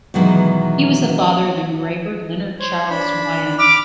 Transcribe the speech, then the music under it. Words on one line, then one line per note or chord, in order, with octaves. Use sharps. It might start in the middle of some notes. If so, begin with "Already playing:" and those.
He was the father of engraver Leonard Charles Wyon.
B2 D#3 E3 F#3 G#3 B3
C5 C#5
D4 B5
B5 D6 F6